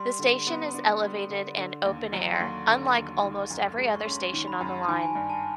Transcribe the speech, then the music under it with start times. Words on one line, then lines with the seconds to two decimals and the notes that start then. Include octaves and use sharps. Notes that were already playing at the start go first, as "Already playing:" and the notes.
The station is elevated and open-air, unlike almost every other station on the line.
Already playing: G3 C6
0.19 D3
0.47 B3
0.74 D4
1.02 G3
1.29 D3
1.57 D3
1.85 D#2
2.13 F#3
2.34 C6
2.40 D#2 C#6
2.68 D3
2.95 D#2
3.23 D#3
3.50 F#2
3.78 G#3
3.96 C#6
4.05 C#4 C6
4.33 D#3
4.47 B5
4.61 F#2
4.88 D#3 G#5
4.96 A5
5.02 G#5
5.15 G2
5.30 A5